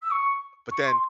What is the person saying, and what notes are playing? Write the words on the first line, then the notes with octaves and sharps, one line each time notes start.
but then
E6
C#6
C#6
C6